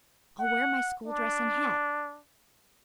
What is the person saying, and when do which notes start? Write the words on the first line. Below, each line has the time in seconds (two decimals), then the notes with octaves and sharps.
I'll wear my school dress and hat.
0.39 F#5
1.06 D4